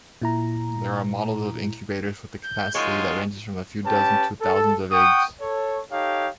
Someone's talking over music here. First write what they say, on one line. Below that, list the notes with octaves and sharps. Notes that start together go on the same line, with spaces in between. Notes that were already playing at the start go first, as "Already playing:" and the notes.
There are models of incubators with a capacity that ranges from a few dozen to thousands of eggs.
A#2 E4 A#5
G6
G#2 F#3 G#3 F4 C#5 G5
C#4 G4 B4 A5
A4
F#5 G5 C#6 D#6
A4 C#5
D#4 G4 A4 C#5 F5